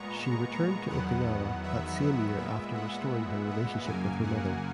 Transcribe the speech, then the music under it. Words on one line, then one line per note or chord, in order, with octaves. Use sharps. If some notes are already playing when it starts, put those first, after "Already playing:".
She returned to Okinawa that same year after restoring her relationship with her mother.
Already playing: A#2 G#3 B3 A#5 C#6
C#6
A#5
E2 D#3 F#3 B3 F#5
E5
F#5
A#2 G#3 B3 E5
F#5
F#5
F#2 C#3 F#3 A#3 G#5
F#5